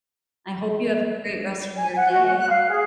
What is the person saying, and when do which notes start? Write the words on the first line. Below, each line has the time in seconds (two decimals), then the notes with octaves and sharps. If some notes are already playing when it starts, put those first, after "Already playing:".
I hope you have a great rest of your day.
1.78 G#5
1.95 F#5
2.10 F#4
2.24 F#5
2.39 F#6
2.50 F5
2.69 G#4